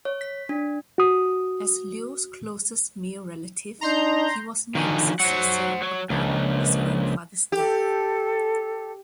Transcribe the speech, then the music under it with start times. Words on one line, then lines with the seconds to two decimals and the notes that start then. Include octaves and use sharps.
As Leo's closest male relative, he was named successor upon his grandfather's death.
0.05 C#5
0.21 B6
0.49 D4
0.98 F#4 D#6
3.81 D4 D#4 A#5 C6 G6
4.75 D3 D#3 F3 F#4 G#5
5.20 F#3 C5 F#5
5.82 F#3 C#5
6.10 C#2 F3 A#3 D4
7.52 G4 A4